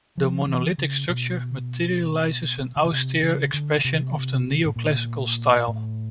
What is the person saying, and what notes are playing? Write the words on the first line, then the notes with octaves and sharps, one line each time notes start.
The monolithic structure materializes an austere expression of the neoclassical style.
F3
E3
C#3
B2
D3
C#3
C3
C#3
D3
C3
A2
A#2
A2